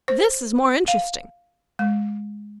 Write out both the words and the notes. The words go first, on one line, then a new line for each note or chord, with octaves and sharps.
This is more interesting.
C5
F5
G#3